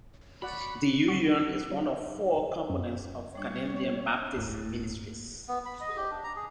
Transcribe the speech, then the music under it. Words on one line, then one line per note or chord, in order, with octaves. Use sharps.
The union is one of four components of Canadian Baptist Ministries.
F#4 D5 F#5 B5
F#4
F#3
F#2
G3 D4 C#5 D6
D1 G1 A2
B3
B5
D#5
G4
D4
A#5
G#4